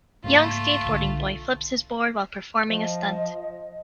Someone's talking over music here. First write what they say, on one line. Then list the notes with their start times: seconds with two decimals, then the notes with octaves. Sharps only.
Young skateboarding boy flips his board while performing a stunt.
0.24 C#2 G#2 A3 A#3 F4
0.85 B1 D3
2.69 F3 D#5